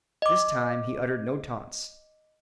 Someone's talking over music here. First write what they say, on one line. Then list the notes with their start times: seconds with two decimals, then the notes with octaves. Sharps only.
This time he uttered no taunts.
0.22 D#5 D6